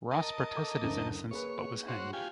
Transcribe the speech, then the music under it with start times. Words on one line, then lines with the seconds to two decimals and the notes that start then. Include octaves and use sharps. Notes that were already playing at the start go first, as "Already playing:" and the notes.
Ross protested his innocence but was hanged.
0.11 A#4 D#5 A5
0.56 A4 D6
0.82 F#1 D2
1.31 A#3 G#4 B4 C#5
1.88 F#4 C5 C#5
2.13 F4 G4 G#5